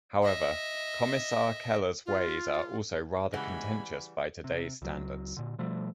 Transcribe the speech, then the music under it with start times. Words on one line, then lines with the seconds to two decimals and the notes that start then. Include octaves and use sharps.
However, Kommissar Keller's ways are also rather contentious by today's standards.
0.23 D#5 E5
2.06 F4
3.33 C#3 E3 G3 G#3 E5 F#5 G#5 B5
4.44 C3
4.82 C#2 F#3
5.37 A#2 D3
5.59 B2 F3 G3 A3